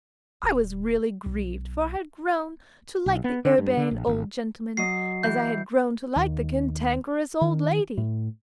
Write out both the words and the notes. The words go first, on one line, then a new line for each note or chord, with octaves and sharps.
I was really grieved, for I had grown to like the urbane old gentleman, as I had grown to like the cantankerous old lady.
D#1
B1
B1
B3
D3
G2
D3
A#1
G#1
F#3 D#5 C7
E3 G6
D#2
D#3
A2